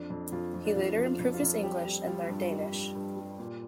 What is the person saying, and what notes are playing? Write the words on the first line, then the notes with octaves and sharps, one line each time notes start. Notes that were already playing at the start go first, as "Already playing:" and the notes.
He later improved his English and learned Danish.
Already playing: F2 D4
F2
F2 F4
F2
D4
F2 F4
F3
F4
F2
F4
F2
G3 G4
G3
G3 F4
G2
G3
G2
G2
G3
A#2